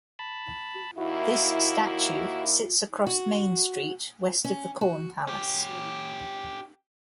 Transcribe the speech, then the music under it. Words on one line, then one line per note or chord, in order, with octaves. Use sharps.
This statue sits across Main Street, west of the Corn Palace.
A5 B5
D#2 A#3 E4 F#4
F#4
C#4
F#4
C#4 G4